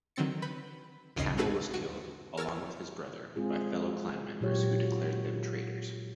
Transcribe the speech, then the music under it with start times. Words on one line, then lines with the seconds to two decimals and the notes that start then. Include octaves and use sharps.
Kamel was killed, along with his brother, by fellow-clan members, who declared them traitors.
0.16 D3 D#3 F#3 C4 A6 C#7
0.42 B4 B5 G6
1.16 A#1 D#2 C#3 D#5 C7
1.37 C4 D#4 F#4 G#4 A4 B4
1.74 F#4
2.37 A#4 C#5 E6 F6 A6
3.36 G#3 C4 F4 G#4
3.81 F#4
4.41 A#2 F#3 F4 G4 C#5
4.82 F4 F#4